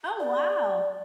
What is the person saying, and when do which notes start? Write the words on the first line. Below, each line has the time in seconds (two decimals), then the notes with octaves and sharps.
Oh, wow.
0.20 D5